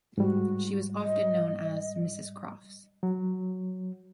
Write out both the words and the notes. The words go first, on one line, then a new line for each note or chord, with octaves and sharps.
She was often known as "Mrs Crofts".
G#2 G3 F#4
D#5
F#3